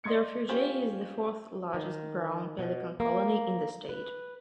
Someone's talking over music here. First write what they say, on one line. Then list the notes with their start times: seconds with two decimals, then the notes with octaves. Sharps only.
The refuge is the fourth largest brown pelican colony in the state.
0.04 D5 D#5 C6 G#6 C#7
0.49 C#4 F4 G4 C5 C#5
1.74 D#3
2.59 B2
3.00 A#3
3.89 B4